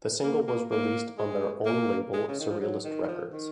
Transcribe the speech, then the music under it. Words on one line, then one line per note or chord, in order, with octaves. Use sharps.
The single was released on their own label, Surrealist Records.
A#3
A#3
A#3
G#3
A#3
G#3
C#3
D#3
F3
F#3
D#3
D#3
F3
D#3